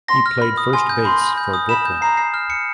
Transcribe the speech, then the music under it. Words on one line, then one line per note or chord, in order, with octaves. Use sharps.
He played first base for Brooklyn.
C6 A#6
F6
B5
D#6
G#5 C6
G6
B5 C6
B5
G6
D#6
B5 E7
G6
A#5 C7
C7
F6
C#7